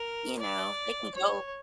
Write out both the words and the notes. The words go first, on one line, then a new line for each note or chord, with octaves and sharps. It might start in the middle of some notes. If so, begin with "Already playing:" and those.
you know they can go
Already playing: A#4
D5
C#5